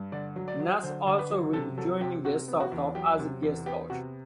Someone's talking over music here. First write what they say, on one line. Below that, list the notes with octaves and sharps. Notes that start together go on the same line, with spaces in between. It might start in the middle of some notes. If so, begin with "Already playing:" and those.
Nas also will be joining the startup as a guest coach.
Already playing: G2
D3 D5
F#3
D5
F#3
D3 C5
D3
B4
F#3
C3 A4
F#3 A4
C3 G4
C3 F#4
B3
F#4
E2
F#3 G4
C3
E2
B3 G4
C3 F#4